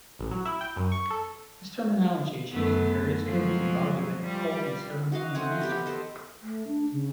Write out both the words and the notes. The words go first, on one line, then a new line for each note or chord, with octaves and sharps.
This terminology is used in various groups involved in the occult and ceremonial magic.
A1
F#3
E4
G5
F#2
C#6
A4
F#2 A3 B3
F3 F#3 G#3
G3 F4
F#4 D#5 F5
A3 C4 F#5 G#5
B3 G4 G5
G4 A4 C5 D#5
A3
D4
C#3